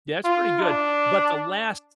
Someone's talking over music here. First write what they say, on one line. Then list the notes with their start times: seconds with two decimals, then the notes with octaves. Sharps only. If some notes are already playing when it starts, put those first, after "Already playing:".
Yeah, it's pretty good, but the last
0.25 F4
0.63 D4